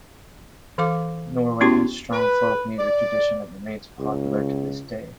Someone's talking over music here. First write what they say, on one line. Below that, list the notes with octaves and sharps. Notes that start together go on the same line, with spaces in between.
Norway has a strong folk music tradition that remains popular to this day.
E3 A4 F5 D6
B3 C#4 E4 F#4 G4 C6
B4
D5
C#2